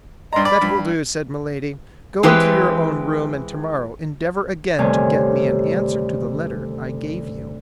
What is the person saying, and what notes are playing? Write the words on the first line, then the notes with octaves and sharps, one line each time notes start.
"That will do," said Milady; "go into your own room, and tomorrow endeavor again to get me an answer to the letter I gave you."
G2 D5 D#5 A#5 C6
D5 B5
G2
E3 G#3 C4 G4 B4
D2 G2 C3 D#3 C#4 G#5